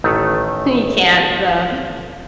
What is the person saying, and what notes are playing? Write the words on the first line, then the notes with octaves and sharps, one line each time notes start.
and you can't, so,
A1 D#3 A3